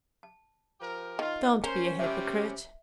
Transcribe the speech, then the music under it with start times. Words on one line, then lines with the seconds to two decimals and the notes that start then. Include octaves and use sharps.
'Don't be a hypocrite.
0.23 A5
0.80 F3 G4 A#4
1.19 D#3 F4
1.64 C#4 A#4 C5
1.99 C3 G3 E5